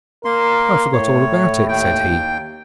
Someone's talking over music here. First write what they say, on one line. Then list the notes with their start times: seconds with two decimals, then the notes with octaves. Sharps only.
'I forgot all about it,' said he.
0.25 A#3 A#4 C6
0.93 A2 C#5
1.68 D#2 G5